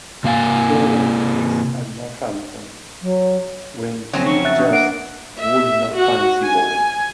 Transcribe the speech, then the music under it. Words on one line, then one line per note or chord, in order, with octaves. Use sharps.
There were days at Northampton when he just would not fancy bowling.
C3 A#3 F5 G#5
F#3
F2 A2 C#3 F#3 C4 C#4
C#6
E5 F#6 A6
D4 F#6
A#3 F#5 F#6 D7
E5
F#4
G#5